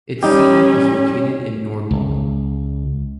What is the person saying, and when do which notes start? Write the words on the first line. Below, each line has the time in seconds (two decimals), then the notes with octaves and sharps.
Its seat is located in Nordmaling.
0.23 G3 C#4 D#4 G4
1.91 C#2